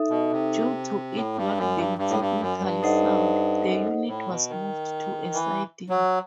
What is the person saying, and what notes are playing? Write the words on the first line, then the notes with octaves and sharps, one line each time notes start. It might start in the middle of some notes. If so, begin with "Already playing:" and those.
Due to it not being technically sound, the unit was moved to a siding.
Already playing: D#4 A4 E5
B2
C3
A2
G2
F#2
G2
G2
A2
G2
F#2
G2
D#4 A4 C5 D#5 F#5
F#2
A2
B2
D#3
E3
F#3